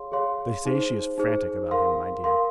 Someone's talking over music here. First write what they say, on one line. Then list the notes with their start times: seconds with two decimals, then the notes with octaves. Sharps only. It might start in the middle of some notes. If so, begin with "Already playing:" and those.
"They say she is frantic about him, my dear."
Already playing: G#4 C#5 F5 C6
0.12 G#4 C#5 F5 C6
0.65 D#4 G#4 C5
1.18 D#4 G#4 C5
1.71 A#4 F5 C6
2.24 A#4 F5 C6